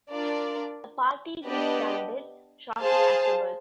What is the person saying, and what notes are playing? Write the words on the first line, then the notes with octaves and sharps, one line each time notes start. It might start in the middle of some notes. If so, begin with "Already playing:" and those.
The party disbanded shortly afterwards.
D4 F4 A#4 D5
B3 D4 G4 B4 D#5
G#4 C5 F5 A5